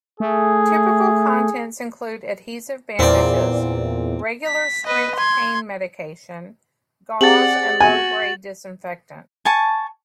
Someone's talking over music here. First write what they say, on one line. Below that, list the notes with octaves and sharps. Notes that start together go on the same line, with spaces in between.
Typical contents include adhesive bandages, regular strength pain medication, gauze and low grade disinfectant.
A3 G#4
E2 A#2 C4 D5
B6
B4 D#5
C6 G#6
C4 G4 G#4 D5 F#5 A6 F#7
F#4 G#5
G#5 A5 C#6